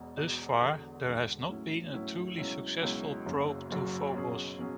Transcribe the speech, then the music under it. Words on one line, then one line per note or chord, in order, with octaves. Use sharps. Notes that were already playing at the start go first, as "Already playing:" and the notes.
Thus far, there has not been a truly successful probe to Phobos.
Already playing: E1 E2 B2
E1 E2 B2
E1 E2 D3
E1 E2 D3
A2 F#3 C#4 E4
A2 F#3 C#4 E4
C#2 B2 F#3 C#4 E4
C#2 B2 F#3 C#4 E4
F#1 F#2 C#3 F#3
F#1 F#2 C#3 F#3
B2 F#3 C#4 G#4
B2 F#3 C#4 G#4